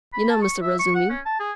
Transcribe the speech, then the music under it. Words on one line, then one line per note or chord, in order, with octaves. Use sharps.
You know Mr. Razumihin?
B5
A5
C#6
E5
C#6
F#5
C#4
A5
G#4